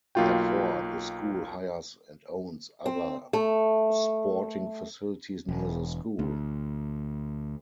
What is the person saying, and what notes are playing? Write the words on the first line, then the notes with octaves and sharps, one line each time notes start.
Therefore, the school hires and owns other sporting facilities near the school.
B1 A#3 F4 F#4 G5
C4
A3
E1
D2